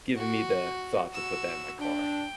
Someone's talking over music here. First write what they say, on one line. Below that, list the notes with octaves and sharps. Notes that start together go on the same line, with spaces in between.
given me the thought to put that in my car.
F#4
F#4 E6
D4 G5